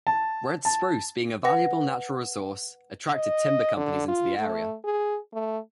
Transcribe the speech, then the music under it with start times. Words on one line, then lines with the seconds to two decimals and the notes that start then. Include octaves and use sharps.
Red spruce, being a valuable natural resource, attracted timber companies into the area.
0.07 A5
0.65 A5
1.44 B4 F#5 A#6
3.15 D#5
3.77 D3
4.08 F4
4.38 A3
4.84 G#4
5.33 A3